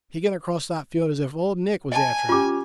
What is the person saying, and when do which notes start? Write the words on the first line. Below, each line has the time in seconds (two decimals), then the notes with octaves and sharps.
He got across that field as if Old Nick was after him.
1.92 D#5 G#5 A5
2.29 C#4 F4 G4 D6